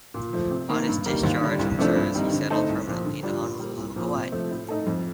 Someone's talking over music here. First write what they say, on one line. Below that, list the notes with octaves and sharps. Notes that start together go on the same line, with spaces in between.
Upon his discharge from service, he settled permanently in Honolulu, Hawai'i.
A#2
F3 A3
C3
D#3 A#3
G2
D#3 G3 A#3
D#2
D3 G3 D4
C2
C3 F3 A3 D4
G2
D#3 G3 C4 D#4
D3
A3 D#4 A4 C5
C2
A#2 F3
D3
G3 D4 F4
A#2
G3 A#3
C2
A#2 F3 A#3
C3
F3 A3
A2
A3 D#4 A4
F2